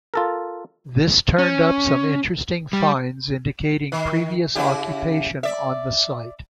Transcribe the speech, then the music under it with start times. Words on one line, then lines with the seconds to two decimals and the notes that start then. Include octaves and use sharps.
This turned up some interesting finds indicating previous occupation on the site.
0.14 F4 A4 A#4
1.39 C#4
2.73 G3
3.92 D#3
4.55 C#3 E4 G4
5.43 D5 E5